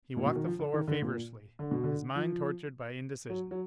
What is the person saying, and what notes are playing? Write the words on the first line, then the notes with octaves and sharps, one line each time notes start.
He walked the floor feverishly, his mind tortured by indecision.
A#2
B2
D#3
F3
D3
D#3
D3
A#2
D3
B2
D3
F3
F#3
F#3